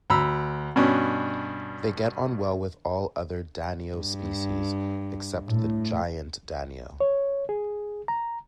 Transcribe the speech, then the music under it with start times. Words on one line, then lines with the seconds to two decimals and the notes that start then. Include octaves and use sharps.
They get on well with all other "Danio" species except the giant danio.
0.10 D2 A#5 B5 E6
0.76 G2 B2 C#4 D4
3.96 G2
5.49 A2
7.00 C#5
7.49 G#4
8.08 A#5